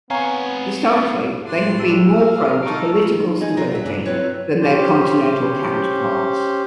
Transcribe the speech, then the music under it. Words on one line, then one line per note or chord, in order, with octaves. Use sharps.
Historically they have been more prone to political stability than their continental counterparts.
B3 C4 C#5 F5 F#5 G#5 A#5 C#6
A2 G3 A3 D4 C6
E6
F3 A#4 F5
D#4 A4 C#6 E6 D7
D#3
D#4 G#4 D#5
C3 F3 D4 F4 A4 A#4
F#3 E5
G2 C#3 D4
F#3 C4 E4 F4 B4 C#5
C#4 G4 C5